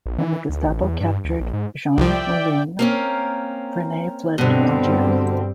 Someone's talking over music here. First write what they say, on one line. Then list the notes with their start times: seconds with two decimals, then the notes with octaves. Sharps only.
When the Gestapo captured Jean Moulin, Frenay fled to Algiers.
0.06 A#1
0.19 E3
0.49 D2
0.67 A1
0.82 E2
1.01 G2
1.25 D2
1.40 A#1
1.53 G#2
1.98 C2 F3 D5 E5 G5
2.79 A#3 C4 C#4
4.38 G2 B2 D3 G3 C4